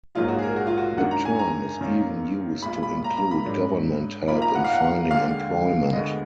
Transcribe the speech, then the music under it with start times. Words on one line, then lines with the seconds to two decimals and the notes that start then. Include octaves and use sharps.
The term is even used to include government help in finding employment.
0.15 A#1 G#2 F#3 A#3 D#4 F4
0.28 F#4
0.39 G#4
0.42 A#4
0.56 F#4
0.67 F4
0.78 F#4
0.97 F#2 D#3 G#3 D4 F#5
1.11 A#5
1.25 G#5
1.39 A#5
1.81 F#2 D#3 F#3 A#3
2.62 B1 A#2 G#3 B5
2.83 B5
3.04 A#5
3.17 A#5
3.31 B5
3.45 G#2 F#3 D4
4.27 B1 A#2 F3 A#3 D#4 B5
4.42 A#5
4.55 F#5
4.64 F5
4.73 F#5
5.11 D#2 D3 G#3 D4 F5
5.93 D2 D3 G#3 B3 D#5